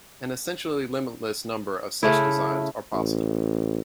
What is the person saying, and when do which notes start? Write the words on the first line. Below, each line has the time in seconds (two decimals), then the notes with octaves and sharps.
An essentially limitless number of such designs are possible.
2.03 C#3 A3 E4
2.93 A1